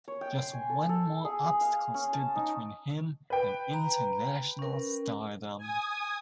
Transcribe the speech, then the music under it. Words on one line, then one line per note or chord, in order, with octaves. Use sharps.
Just one more obstacle stood between him and international stardom.
C#5
G5
C6
G#5
A4
A4
G#4
G#4
F5
C#4
A5
D#4
B4 G5
A#5
C#4 A#4
G#5 D#6